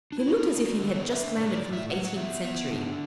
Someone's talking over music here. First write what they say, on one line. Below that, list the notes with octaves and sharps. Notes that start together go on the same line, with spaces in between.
He looked as if he had just landed from the Eighteenth Century.
D4
E4
B3 F#4
D3
B3 A4
D5
D3 E5
A2 D5
B4
D5
A2
E5
F#3 F#5
F#5
B3 E5
B3 E5
D3